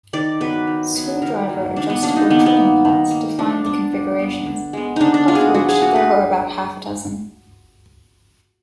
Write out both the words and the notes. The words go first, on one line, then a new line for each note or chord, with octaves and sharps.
Screwdriver-adjustable trimming pots defined the configurations, of which there were about half a dozen.
D#3 D5
F#3 B3 B4
D#3
F#3 B3
D#3 A#4
F#3 A#3
D#3 D4
B3
F#3 A#3 D4
D#4
D#3 B3
B3
A#3
D#3
A#3
F3 D4
B3 D4
F3
B3
D3
G#3 B3
D3 D4 D#4
D4
G#3 B3 F4
G#4
F#4
F3 F#4
G#4
A#3 F#4
B4